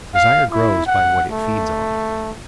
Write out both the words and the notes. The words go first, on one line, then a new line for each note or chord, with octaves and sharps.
Desire grows by what it feeds on.
F5
E4
F#5
A3